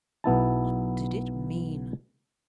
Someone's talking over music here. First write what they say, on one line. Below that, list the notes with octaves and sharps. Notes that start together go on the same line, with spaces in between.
What did it mean?
B1 B3 E4 A5